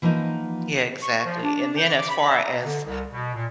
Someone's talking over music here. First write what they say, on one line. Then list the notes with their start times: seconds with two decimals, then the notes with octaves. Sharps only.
Yeah, exactly, and then as far as,
0.02 E3 F3 A#3 B3 D#4
1.02 C#6
1.24 F3
1.41 D4
1.77 G5
1.91 D6
2.09 B5
2.28 E5
2.42 A#5
2.64 D3
2.84 C2
3.12 B2
3.34 A#2